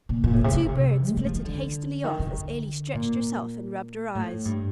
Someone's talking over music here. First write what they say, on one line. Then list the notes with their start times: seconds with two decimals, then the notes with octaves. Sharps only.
The two birds flitted hastily off as Elly stretched herself and rubbed her eyes.
0.09 A#2
0.24 A#2
0.33 A2
0.44 C3
0.54 D3
0.69 C3
1.08 A3
1.17 G3
1.26 F3
1.35 D#3
1.45 D3
2.04 D#3
2.20 D3
2.94 A#2
4.15 A2
4.45 G2